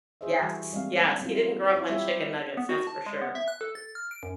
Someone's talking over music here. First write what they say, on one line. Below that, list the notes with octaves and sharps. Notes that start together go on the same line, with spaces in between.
Yes, yes, he didn't grow up on chicken nuggets, that's for sure.
G#4 C5 D#5 E5
E3 G3 F#4
G3 G#3 A#3 C4 F5
F#3 B3 C4 E4 F4
E4 C5 C#5
G3 B3 E4 F4 G4 E5
B3
F#4
A5
G#3
B3
E5
F#6
A4
A6
F6
D7
F#2